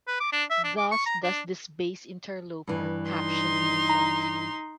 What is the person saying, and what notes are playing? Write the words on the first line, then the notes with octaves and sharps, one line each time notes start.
Thus does this base interloper caption himself.
B4
D6
D4
E5
D4
D6
C#6
A#5
D4
G2 E3
D#4 C6
A#5